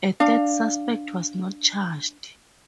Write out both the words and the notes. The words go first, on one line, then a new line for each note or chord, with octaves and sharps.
A third suspect was not charged.
D4 F5